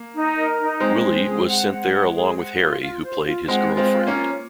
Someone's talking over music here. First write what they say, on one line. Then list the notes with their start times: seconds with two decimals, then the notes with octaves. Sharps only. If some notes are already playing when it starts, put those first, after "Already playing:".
Willie was sent there along with Harry, who played his "girlfriend".
Already playing: A#3
0.14 D#4
0.37 A#4
0.59 D#4
0.80 G#3 C4 C5
1.03 C5
1.25 G#4
1.48 F#5
1.70 F#5
1.92 F#5
2.14 G#4
2.36 F#5
2.59 F4
2.81 F4
3.03 C5
3.25 F4
3.48 G#3 C4 F#5
3.70 F4
3.77 G#3 C4
3.92 F4
4.07 A#3 C#4
4.14 F4